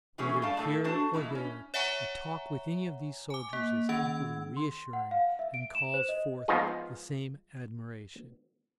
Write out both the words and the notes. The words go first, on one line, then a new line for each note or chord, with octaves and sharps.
Whether here or there, a talk with any of these soldiers is equally reassuring, and calls forth the same admiration.
E3 F#3 A3 C#4 G4 G#4
G3 A3 D4 F5 A5
A2 A3 A4
A3 D4 F#4 C5 A5
A#2 E3 G#3 E4
C#4
C#5 E5 F#5 G#5 A#5 C#6
G#5 D6
A#3
D#3 C#4 E6 G#6
C6
F#5
F5
E5
D7
E7
C5
D#5
G#2 F3 B3 D#4 F4 G#4